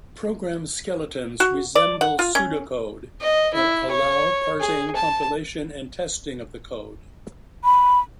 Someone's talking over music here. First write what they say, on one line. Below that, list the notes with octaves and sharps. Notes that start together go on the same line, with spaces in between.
Program skeletons resemble pseudocode, but allow parsing, compilation and testing of the code.
F#4
D5
F#5
F4
C#4
D#5
E4
C#5
G#4
A5
B5